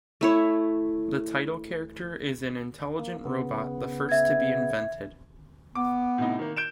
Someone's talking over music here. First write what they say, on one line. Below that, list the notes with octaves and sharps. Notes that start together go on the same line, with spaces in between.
The title character is an intelligent robot, the first to be invented.
A3 E4 C#5
A#3
C#3 B3
E5 G#6
B3 D6
A2 C3 D#4
D#3 A#3
G6 D7 E7